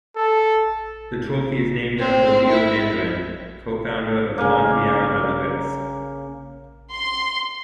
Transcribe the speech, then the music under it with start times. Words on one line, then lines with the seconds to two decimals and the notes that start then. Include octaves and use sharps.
The trophy is named after Leo Dandurand, co-founder of the Montreal Alouettes.
0.17 A4
1.98 C4
2.49 E4
4.38 C#3 A#3
6.91 C6